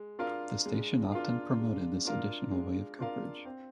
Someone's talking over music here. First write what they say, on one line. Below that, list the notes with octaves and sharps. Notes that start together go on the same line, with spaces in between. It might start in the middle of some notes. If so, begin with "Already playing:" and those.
The station often promoted this additional way of coverage.
Already playing: G#3
D4 F4 A#4 F5
G#3
D4 F4 A#4 F5
G#3
D4 F4 A#4 F5
G#3
D4 F4 A#4 F5
C4